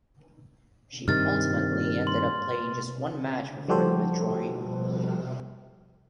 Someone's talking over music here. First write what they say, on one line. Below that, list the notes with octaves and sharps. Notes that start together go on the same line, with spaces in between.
She ultimately ended up playing just one match before withdrawing.
G2 C3 D#3 F6 A6
C6
F3 G3 F#4 G4 A4 C5